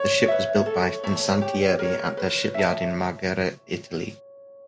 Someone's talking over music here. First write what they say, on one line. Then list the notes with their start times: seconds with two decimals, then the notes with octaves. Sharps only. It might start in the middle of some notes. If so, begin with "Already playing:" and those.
The ship was built by Fincantieri at their shipyard in Marghera, Italy.
Already playing: C#5
0.28 B4 E5
0.66 A4
1.04 C#5 E5 A5
1.41 G4
1.79 A#4 C#5
2.17 B4
2.54 E5 A5